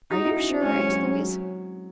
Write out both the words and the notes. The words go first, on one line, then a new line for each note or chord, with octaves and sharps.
"Are you sure?" asked Louise.
D#4 F#4
E4
C#4
C4
G#3 C#4
F#3
F#3
G#3
F#3